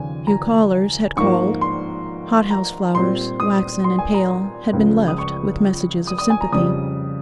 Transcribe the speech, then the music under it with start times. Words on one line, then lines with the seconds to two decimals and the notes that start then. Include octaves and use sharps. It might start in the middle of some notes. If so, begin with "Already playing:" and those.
A few callers had called. Hothouse flowers, waxen and pale, had been left with messages of sympathy.
Already playing: D#2 C#3 F3 G#5
0.27 A#5
1.16 G#2 F3 A#3 C#6
1.61 C6
2.51 A#5
2.95 A#2 G3 C4 C6
3.40 D#6
3.84 C6
3.99 G#5
4.14 A#5
4.29 A#5
4.73 C#2 C#3 F3 G#3
5.08 D#6
5.18 C#6
6.07 D#6
6.19 D#6
6.30 G#5
6.41 A#5
6.52 F2 C#3 G3 D#6